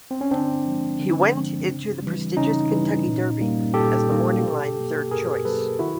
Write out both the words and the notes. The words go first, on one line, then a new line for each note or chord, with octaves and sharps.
He went into the prestigious Kentucky Derby as the morning line third choice.
C4
C#4
D3 C4 D4
F3 G#3
D3
F3 G#3
C#3
E3 G3
C#3 C#4 D#4
E3 G3
A#2
G3 A#3
A#2 G4 A4
G3 A#3
B2
F#3 A#3
B2 G#4 A#4
F#3 A#3 A4 B4
D#3 E4 F#4